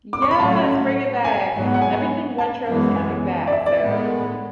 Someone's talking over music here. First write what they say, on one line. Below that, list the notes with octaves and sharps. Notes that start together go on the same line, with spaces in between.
Yes, bring it back. Everything retro is coming back, so
D6
C#6
B5
A2 F#3 A3 C#4 A5
G#5
G#2 F#3 B3
F#5
G#5
A5
F#2 E3 G#3 B3
G#5
D5
E5
D5
A2 G#3 B3